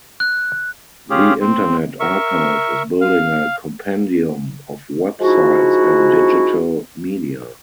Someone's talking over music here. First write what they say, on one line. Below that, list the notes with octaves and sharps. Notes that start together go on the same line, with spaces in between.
The Internet Archive is building a compendium of websites and digital media.
F#6
C#4 F4 G4 G#4
C4
A#4 E5 C#6
F5
F3 G#3 D#4 E4 F#4